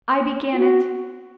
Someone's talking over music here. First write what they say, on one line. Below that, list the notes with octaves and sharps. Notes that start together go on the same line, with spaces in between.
I began it!
F4
F#4